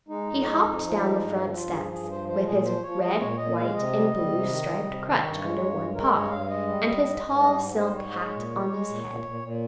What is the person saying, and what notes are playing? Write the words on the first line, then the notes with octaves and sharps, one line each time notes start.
He hopped down the front steps, with his red, white and blue striped crutch under one paw, and his tall, silk hat on his head.
G#3 D#4
F2
G#3
F2
F3
G#3
G2
F3
G2 F4
F3 G#4
G2 G#4
F3 C5
G#3 C5
A#2 G#4
F3 C5
F3 C#5
G#3 D#5
A#2 C#5
A#2 D#5
G#3 F5
C3 D#5
G3
G3
C3
D#3
G3
C3
D#3
G2 C#5
G#3
G2
G#3
G#3 A#4
G2 C#5
G2 F5
G#3 D#5
G3
G3
G#2
G#2
G3 D#5
G#2
G3 C5
G#2 C#5
G#3
A#2
G#3
G#3
A#2
A#2
A#2
A#2